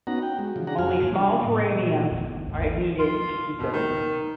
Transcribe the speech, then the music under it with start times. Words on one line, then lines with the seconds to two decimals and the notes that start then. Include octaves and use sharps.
Only small terrariums are needed to keep them.
0.07 B3 C#4 D#4 F#4 F#5 A#5
0.22 G5
0.39 G#3 F#4
0.56 C#3 E3 F3
0.67 C#4 D4 F#4 G#4 F#5 A#5
0.78 F2 F#4 G#5 F6
1.19 C#3 F3 G3 D4
1.44 A2
1.71 A#2 E3 A3
2.10 G1 E2 D3
2.48 G#1 D#2
2.99 F4
3.59 B2
3.73 D#3